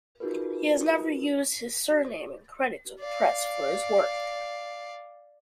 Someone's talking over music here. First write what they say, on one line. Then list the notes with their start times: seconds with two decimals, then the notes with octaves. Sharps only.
He has never used his surname in credits or press for his work.
0.20 D#4 F4 F#4 G#4 A#4 B4
3.00 D5 F5